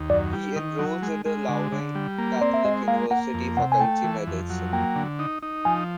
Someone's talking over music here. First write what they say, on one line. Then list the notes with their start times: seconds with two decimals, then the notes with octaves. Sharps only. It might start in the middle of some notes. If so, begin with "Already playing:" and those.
He enrolls in the Louvain Catholic University faculty medicine.
Already playing: D#2
0.09 F#2 D5
0.33 G3
0.56 D#3
0.79 F#3
1.02 G#3
1.26 G#3
1.49 D3
1.72 D3
1.95 G3
2.18 A#3
2.41 C4 D5
2.54 E5
2.64 G#3 D#5
2.87 A#3 F5
3.10 A#3 F#5
3.34 F2
3.57 C3 F#5
3.72 G#5
3.80 A3 G5
4.04 E3
4.27 F2
4.50 F#3
4.73 A#3 G5
4.96 D3
5.19 D#4
5.43 D#4
5.65 F3 G#5